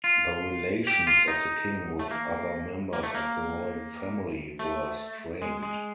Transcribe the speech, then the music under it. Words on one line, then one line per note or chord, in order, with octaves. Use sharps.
The relations of the king with other members of the royal family were strained.
F4
G4
F4
D#4
A3
A#3
A#3
A3
A#3
A3
G#3
G#3